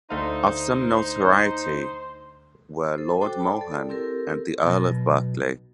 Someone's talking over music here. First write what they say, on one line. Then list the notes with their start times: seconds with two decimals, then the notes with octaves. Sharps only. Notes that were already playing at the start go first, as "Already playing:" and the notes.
Of some notoriety were Lord Mohun and the Earl of Berkeley.
0.10 D2 A3 D#4 C5 F5
2.95 A4 C5
3.21 F#4 A4 C5 G5 D6
3.38 G5 A5 B5
3.57 A4 D5
3.89 C4 E4 G4 A4 A#4
4.64 B1 B2